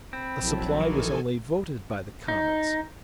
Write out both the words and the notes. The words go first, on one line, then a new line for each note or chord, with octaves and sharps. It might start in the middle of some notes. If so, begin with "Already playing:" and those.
The supply was only voted by the commons.
C4 B5
A#1 F#3 E4 A4 B5
D#3 E3 A4 A#4 G#5
D#4